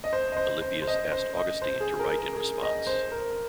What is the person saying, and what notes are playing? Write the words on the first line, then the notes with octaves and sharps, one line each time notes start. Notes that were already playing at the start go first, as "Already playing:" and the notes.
Alypius asked Augustine to write in response.
D#5
C5
D#5
C5
C5
C5
D#5
C5
D#5
C5
G#4
A#4
A#4
G#4
D#5
C5
A#4